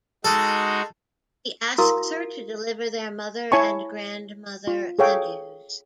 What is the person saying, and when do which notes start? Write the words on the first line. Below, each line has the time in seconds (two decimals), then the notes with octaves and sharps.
He asks her to deliver their mother and grandmother the news.
0.25 G#3 D#4 F#4 A4
1.78 E4 F#4 A#4 F5 C#6 D#6
3.52 E4 C#5 G#5 A5 C#6
4.67 F4
4.99 G#4 A4 C#5 F5 G5